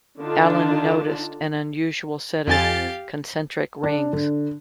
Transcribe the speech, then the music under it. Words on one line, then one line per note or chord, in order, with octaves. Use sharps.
Allen noticed an unusual set of concentric rings.
D3 D4 D#4 F4 A5
F2 G4 F5 G#5 A6
D4
D3